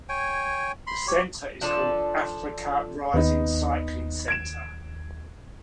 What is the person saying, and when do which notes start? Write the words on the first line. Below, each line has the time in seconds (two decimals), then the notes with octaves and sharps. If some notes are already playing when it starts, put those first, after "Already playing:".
The center is called Africa Rising Cycling Center.
0.09 C#5 G5 G#5
0.87 B5 C6
1.07 G4 C#5
1.61 F3 D4 A4 D5
3.14 D#2 B3 D#4
4.28 G#6 D7 E7